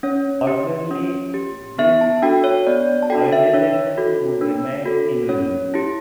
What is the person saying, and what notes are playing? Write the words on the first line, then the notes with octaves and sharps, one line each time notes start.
Ordinarily this ionisation would remain invisible.
C#4 C#5
G4
C#4
G4
B3 E5
A5
D4 F#4 A4 G5
C#5
B3 D5
A5
D4 F#4 A4 G5
E5
D4 C#5
F#4 A4
D4
F#4 A4
C#4 C#5
E4 G4